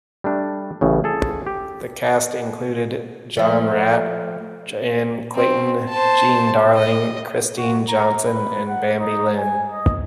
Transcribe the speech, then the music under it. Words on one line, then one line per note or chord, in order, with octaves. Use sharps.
The cast included John Raitt, Jan Clayton, Jean Darling, Christine Johnson and Bambi Linn.
G3 A3 D4
A1 A2 C#3
G#4 A4
G4
F3 A3
C4
C5 A5
D#5
F#4
A#5
B4
F#5
D#4
G#5
D#5